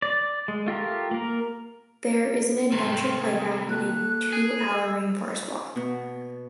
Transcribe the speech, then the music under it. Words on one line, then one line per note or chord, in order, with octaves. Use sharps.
There is an adventure playground and a two-hour rainforest walk.
D5
G#3
A3 F4 G4 A#4
A#3 A#4
G#2 C3 D#3 A3 C6
G#4
A#3 F#4 A4 F#6
G#4
D#5 E6
B2